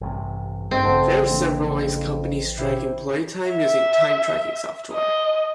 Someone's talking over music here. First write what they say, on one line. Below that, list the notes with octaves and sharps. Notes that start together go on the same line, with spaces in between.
There are several ways companies track employee time using time tracking software.
A1 G2 C3
C2 G2 D#3 C4 G5
A1 F2 A2 C#3 A4 F#5 A5
E3 A#3 D4
B2 D3 E4 G4 C5
E5
D#5